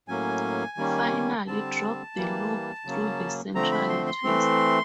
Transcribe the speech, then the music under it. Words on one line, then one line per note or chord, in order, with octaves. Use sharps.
Finally drop the loop through the central twist.
A2 F#3 A#3 C#4 G#5
D#3 G3 A#3 C#4
D3 G3 C4 A5
E3 G3 A#3
C#3 F#3 A#3 C#4
D3 F3 A3 C4 A#5
B5
C6
C6
E3 A3 C4